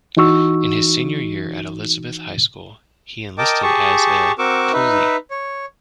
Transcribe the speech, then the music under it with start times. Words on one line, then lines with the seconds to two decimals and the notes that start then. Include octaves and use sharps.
In his senior year at Elizabeth High School, he enlisted as a "poolee".
0.17 E3 D#4 F#4 C#6 E6
3.38 A#4 D#5 G5 A5 D6
3.63 G4 G#4 A5 C#6
4.39 C4 F#4 A#4 C#6 D6 E6
4.73 D#4 B4 E5
5.31 C#5